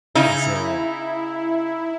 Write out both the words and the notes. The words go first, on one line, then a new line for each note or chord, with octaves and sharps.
And so
C#3 D#4 E4